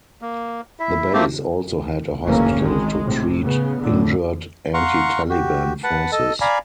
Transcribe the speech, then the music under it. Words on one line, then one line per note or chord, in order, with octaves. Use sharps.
The base also had a hospital to treat injured anti-Taliban forces.
A#3
E4 E5
A3 A#3 C4 G4
F#1 D2 G#2 E3 A#3 C#4
G#1 D#3 G#3
A2 C3
C#3 B3
D2 A2 D3
F5 F#5 A#5 C6 C#6
F#4 G4
B4 F#5 A5
A4 D#5 A5
D5 F5 G#5 A#5 B5